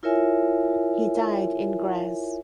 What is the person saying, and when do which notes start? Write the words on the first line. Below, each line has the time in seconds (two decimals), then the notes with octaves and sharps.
He died in Graz.
0.03 E4 F4 A#4 C#5 E5 G#5